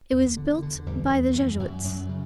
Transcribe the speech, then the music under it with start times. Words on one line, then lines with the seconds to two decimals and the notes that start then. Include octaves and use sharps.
It was built by the Jesuits.
0.12 E2
0.37 D3
0.62 D3
0.86 E2 G3
1.11 E2
1.35 F#2 E3
1.60 F#2
1.84 F#2 F#3
2.09 C#3